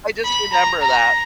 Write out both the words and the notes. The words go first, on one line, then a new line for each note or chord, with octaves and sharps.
I just remember that.
B5
A#5
A#5